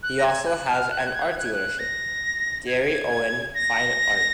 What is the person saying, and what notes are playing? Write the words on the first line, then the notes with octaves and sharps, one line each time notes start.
He also has an art dealership, "Gary Owen Fine Art".
F#6
A#6
G#6
F#6
F6
F#6
G#6
F#6
G#6
F#6
G#6
F#6
G#6
F#6
A#6
G#6
A#6